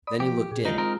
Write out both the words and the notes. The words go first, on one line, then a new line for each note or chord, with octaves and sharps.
Then he looked in.
D5 B5 D#6
F3 G4
A#2 G#4
D3 D#3 G#3 D#4 F4
C4 D#4 A#4